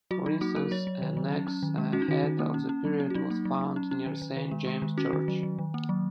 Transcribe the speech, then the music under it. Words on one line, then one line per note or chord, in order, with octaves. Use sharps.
For instance an axe head of the period was found near Saint James' Church.
F#3 F#4
F#3 D#4
A#3 F#4
F#3 A#4
F#3 C#5
F#3
D#3
F#3
C#4
C#4
D#3
G#3
C#4 F#4
D#4
D#3 F#4
D#3
A#3
C#4
C#4
F#3
C#4
F#4
F#3 D#4
A#3
F#3
F#3
C#4
C#4
D#3
D#3
D#3
G#3
G#3
D#3
C#4 F#4
D#3
F#3
F#3
D#3
A#3
F#3